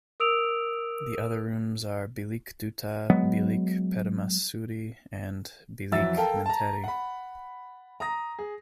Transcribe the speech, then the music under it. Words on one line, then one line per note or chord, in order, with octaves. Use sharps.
The other rooms are "Bilik Duta", "Bilik Permaisuri" and "Bilik Menteri".
A#4 D#6 E6 D7 F7
F#3 G#3 B3
F2 E3 F#3 E5 E6 A6
A4 A#4 F5 G5
A5 A#5
F#5 B5
A#5 D#6 A#6
G#4